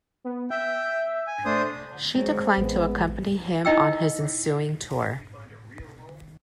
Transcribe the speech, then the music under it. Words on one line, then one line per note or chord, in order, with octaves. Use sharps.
She declined to accompany him on his ensuing tour.
B3
E5 G5
G#5
A3 D4 C5 D#6
F#3 G#3 C4
A1 G#3 B3
D#4 E4 D#5 G5 E6